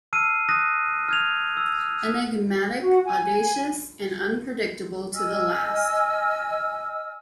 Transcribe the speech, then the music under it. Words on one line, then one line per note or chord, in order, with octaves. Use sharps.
Enigmatic, audacious and unpredictable to the last.
A5 E6 F6 C7 D#7
D#6 F#6 A#6 D#7
F6 G#6 F7
E6
F#4
G#5
D#5 G#5 E6 F6